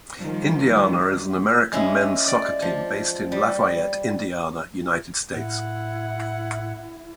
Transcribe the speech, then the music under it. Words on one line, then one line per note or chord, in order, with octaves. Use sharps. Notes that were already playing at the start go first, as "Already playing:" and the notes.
Indiana is an American men's soccer team based in Lafayette, Indiana, United States.
D#3 F3 G3
G#3 C#4 E4
D5
F3
G3
A2 E4 F#5